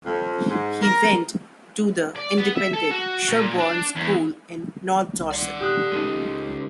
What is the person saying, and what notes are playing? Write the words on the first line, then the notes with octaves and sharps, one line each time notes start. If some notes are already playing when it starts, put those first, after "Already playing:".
He went to the independent Sherborne School in north Dorset.
F2
G#2
A#4
D5
B3
E5
A4
F#4
A#2
D4
E2
C2
D5 F#5
A#2 G4 D#6 F#6
C#2 A2 C#3 G#3 D#4 A4